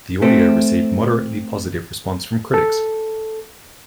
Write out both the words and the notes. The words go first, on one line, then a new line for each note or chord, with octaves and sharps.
The audio received moderately positive response from critics.
A3 C4
A4